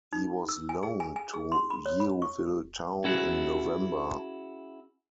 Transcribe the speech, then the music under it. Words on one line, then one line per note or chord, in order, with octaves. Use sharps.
He was loaned to Yeovil Town in November.
D#4
E6
G#5
G#4
G#5
G#5
G#4
C6
B5
C#5
B5
C#6
C#4 E4 F#4 G#4